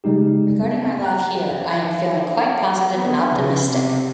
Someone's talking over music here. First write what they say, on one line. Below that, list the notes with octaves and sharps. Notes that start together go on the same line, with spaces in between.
Regarding my life here, I am feeling quite positive and optimistic.
C#3 G3 G#3 D#4 G4
B3
G5 A#5 F#6
B3
C#3
C3